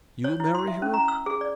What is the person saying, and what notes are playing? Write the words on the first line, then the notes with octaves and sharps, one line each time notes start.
"You marry her!"
C#5
E4
C6
E5
C#4
A#5
E6
G#4
D5